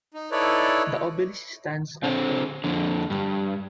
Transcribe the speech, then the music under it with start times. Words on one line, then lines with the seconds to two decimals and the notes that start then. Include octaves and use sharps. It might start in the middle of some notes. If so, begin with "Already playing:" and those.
The obelisk stands at tall.
0.14 D#4
0.31 D#4 E4 A4 B4 C#5 D5
2.04 D3 C4
2.64 F2 D3
3.10 G2